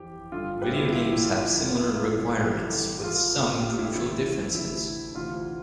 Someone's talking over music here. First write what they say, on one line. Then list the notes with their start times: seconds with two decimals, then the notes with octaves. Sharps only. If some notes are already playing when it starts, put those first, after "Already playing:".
Video games have similar requirements, with some crucial differences.
Already playing: F2 E3 G4
0.32 G2 D3 F4 A4
0.62 G4 B4
0.72 E4 G4
0.83 F4
0.92 C2 C3 E3 E4 G4
1.12 E4
1.23 F4
1.52 E2 D3
1.75 E4
1.83 F4
2.14 C2 B2
2.39 A4
2.44 E4 G4
2.73 C2 C3 E3
3.03 F4 A4
3.34 D2 D3
3.60 G4
3.64 F4
3.79 E4
3.94 D2 C3 E3 E4
4.55 D2 C3 E3 E4
5.15 D2 C3 E3 F4